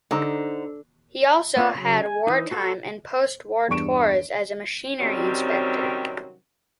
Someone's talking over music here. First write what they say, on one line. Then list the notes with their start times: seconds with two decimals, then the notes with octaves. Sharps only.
He also had wartime and post-war tours as a machinery inspector.
0.11 D3 D#4 C5 A#5
1.56 A#3 C4 F4 C#5 D5
1.75 C#3 F#3
2.02 G#5
2.27 E3 D#4
2.51 F#4 A4 C5 F#5 C#6
3.68 E2 G2 D4 C#6 D7 E7
4.99 C3 D#3 F#3 G3 C4 C#4